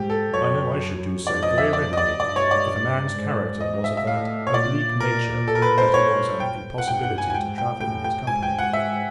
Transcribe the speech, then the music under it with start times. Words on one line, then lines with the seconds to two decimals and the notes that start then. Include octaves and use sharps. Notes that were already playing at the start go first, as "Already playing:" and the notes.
I know I should do so very readily, if a man's character was of that oblique nature that it was an impossibility to travel in his company.
Already playing: G#2 G4
0.10 A4
0.34 F#2 C#5
1.27 F2 D5
1.43 D#5
1.58 E5
1.73 D5
1.93 D#5
1.97 D5
2.20 G2 D5
2.36 C#5
2.51 D5
3.14 G#2
3.61 D#5
3.84 E5
3.97 E5
4.07 A2 F5
4.47 C#5
4.54 A#2 D5
5.00 A#4
5.48 A4
5.55 A#4
5.62 B4
5.78 C5
5.94 C#5
6.40 G5
6.78 F#5
6.88 G2 G5
7.03 F#5
7.18 G#5
7.30 G#5
7.34 G#2 G5
7.58 G5
7.81 A2 G5
8.04 G5
8.27 G#2 G#5
8.43 G5
8.59 F#5
8.73 E5